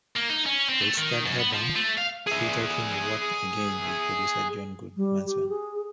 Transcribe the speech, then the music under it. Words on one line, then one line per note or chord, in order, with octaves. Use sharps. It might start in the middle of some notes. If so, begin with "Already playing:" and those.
For its third album, Sleater-Kinney worked again with producer John Goodmanson.
A#3
D#4
C#4
C4
A3
D#3
F#2
B3
F3
A3
F5
G#4 E5
G3
G4
G#4